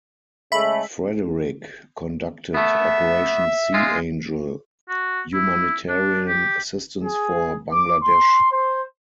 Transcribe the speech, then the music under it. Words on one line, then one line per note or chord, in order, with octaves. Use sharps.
"Frederick" conducted Operation Sea Angel, humanitarian assistance for Bangladesh.
C#3 G#3 A3 E5 B5
A3 B3 E5
G#3 F4
F#4
E4
D4
G4
G#4
D6
C6
C5